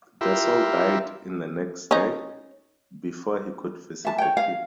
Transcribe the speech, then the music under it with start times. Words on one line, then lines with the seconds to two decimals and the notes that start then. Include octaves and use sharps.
Desault died the next day, before he could visit the King.
0.21 E4 F4 G4 A#4 E5
1.91 C#4 D#4
4.05 E5 A5
4.18 C#5 G5
4.37 F5